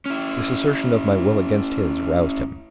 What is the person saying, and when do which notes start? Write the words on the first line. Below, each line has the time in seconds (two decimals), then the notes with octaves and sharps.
This assertion of my will against his roused him.
0.06 C#4 E4